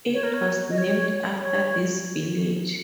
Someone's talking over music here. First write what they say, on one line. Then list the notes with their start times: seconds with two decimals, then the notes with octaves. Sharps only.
It was named after this village.
0.14 C#5
0.23 A#4
0.34 C#5
0.70 D#5
0.78 C#5
1.42 C#5